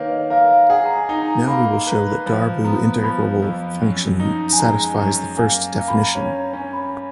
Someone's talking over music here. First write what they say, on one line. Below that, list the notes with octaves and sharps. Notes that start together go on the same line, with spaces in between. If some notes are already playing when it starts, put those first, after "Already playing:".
Now we will show that a Darboux integrable function satisfies the first definition.
Already playing: D#3 A#3 B4 C#5
D#5
A#4 F5
F5
G#4 F#5
A#5
G#5
D#4
A#5
A#3 B5
B4 A#5
F3 B5
B3 A#5
F3 B5
F2
F#2
D#4
G#5
G#3 A#5
F#2 A#5
A#3 G#5
A#3 A#5
B5
A#5
C#4
A#5
C#4 G#5
B5